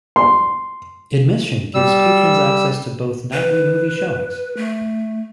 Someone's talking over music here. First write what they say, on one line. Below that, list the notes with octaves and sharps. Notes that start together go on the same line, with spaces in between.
Admission gives patrons access to both nightly movie showings.
C6
G3 E6
B4
A3